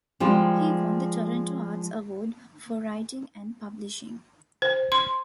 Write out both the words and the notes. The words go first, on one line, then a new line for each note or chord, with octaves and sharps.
He won the Toronto Arts award for writing and publishing.
F3 G3 G#3 F4
C5
C6